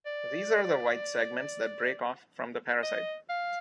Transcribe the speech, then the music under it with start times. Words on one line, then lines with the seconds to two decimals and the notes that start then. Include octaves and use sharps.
These are the white segments that break off from the parasite.
0.06 D5
2.83 D#5
3.30 F5